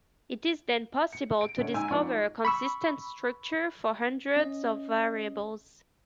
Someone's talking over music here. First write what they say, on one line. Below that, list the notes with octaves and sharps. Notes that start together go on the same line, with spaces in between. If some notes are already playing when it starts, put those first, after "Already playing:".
It is then possible to discover a consistent structure for hundreds of variables.
C#7
D7
D3 C#4 C#5
G#2 G#5 E6
G#2 F3 B3 E4 D5 C#6
B5 C#6 E6
C#4 D#5